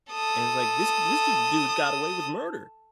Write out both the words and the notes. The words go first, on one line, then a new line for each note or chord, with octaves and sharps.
and it's like, this this du dude got away with murder
A4 D#6